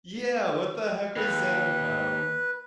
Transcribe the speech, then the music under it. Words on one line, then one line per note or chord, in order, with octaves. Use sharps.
Yeah! What the heck was that about?
D#2 B4